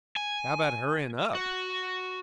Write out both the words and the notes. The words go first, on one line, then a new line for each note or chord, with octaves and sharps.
"How 'bout hurryin' up?"
G#5
F#4